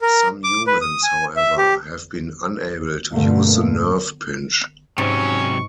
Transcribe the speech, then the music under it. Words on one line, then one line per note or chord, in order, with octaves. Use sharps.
Some humans, however, have been unable to use the nerve pinch.
A#4
D6
B4
D#6
G#5
E5
G4
G2 B2 D3 A3 A#3
G#2 C3 F#3 C#4 C#6